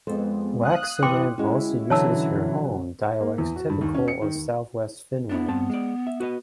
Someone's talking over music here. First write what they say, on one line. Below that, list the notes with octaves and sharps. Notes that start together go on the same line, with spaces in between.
Laaksonen also uses her home dialect typical of southwest Finland.
F2 G#3 B3 A4 C5
F5 D#6 F#6
F#2 E3 G5 C6 D6
G#3 C#4 E4 F#4
B2 D3 E3 F#3 C#5 E5 A5 E6
A#3
E2
F#4
G2
D#2
C#4
C#7
D#3
D#2
B3 D4 E4
G2 C4 A5
G#3 D5
E5
F#4 B4 D#5